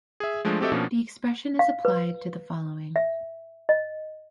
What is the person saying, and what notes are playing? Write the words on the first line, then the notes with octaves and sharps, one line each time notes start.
The expression is applied to the following.
G#4 E5
F3 G#3 A3 D4
C4 F#4 G4 A4 D#5 E5
B2 F3 A#3 C#4 D4
F5
B4
E5
D#5